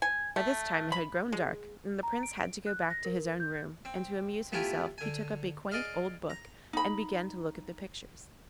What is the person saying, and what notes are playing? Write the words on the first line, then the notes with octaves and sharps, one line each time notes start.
By this time it had grown dark, and the Prince had to go back to his own room, and to amuse himself he took up a quaint old book and began to look at the pictures.
G#5
A3
B5
G#3
A#5
D7
F#6
A#6
A#4
G6
C4
A3 B3 E4 F4 G4 G#5
D3 G#5
G#4 D5 D#5 F5
A#5
D#4 B5